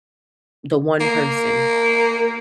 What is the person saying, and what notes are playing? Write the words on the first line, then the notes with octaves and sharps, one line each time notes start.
the one person.
A#3